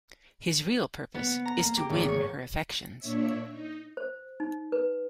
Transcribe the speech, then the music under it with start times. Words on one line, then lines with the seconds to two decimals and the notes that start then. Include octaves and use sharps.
His real purpose is to win her affections.
1.14 B3
1.45 A#5
1.60 A#3
1.77 G4
1.89 G#1
2.08 C#5
2.99 A#2 A#3 D4 C#5 E5
3.49 D#4
3.97 C5
4.40 D#4
4.72 B4